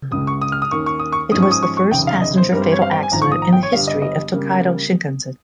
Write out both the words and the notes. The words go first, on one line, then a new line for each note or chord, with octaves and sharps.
It was the first passenger fatal accident in the history of the Tokaido Shinkansen.
C#2 C#3 G#3 D#6
C#6
D#6
F6
D#6
D#2 D#3 A#3 C#4 C#6
C#6
D#6
C#6
G#2 F3 G#3 C#4 D#6
C#6
D#6
C#6
C#6
F1 D#2 C#3 G5
F5
D#5
C5
G2 G3 C4 A#4
C5
C#5
F5
G5
G#5
G#1 G#2 F3 A#5
C#6
D#6
A#5
G5
C#5
G1 G2 G3 F5
D#5
D#5
C#3 G3 A#3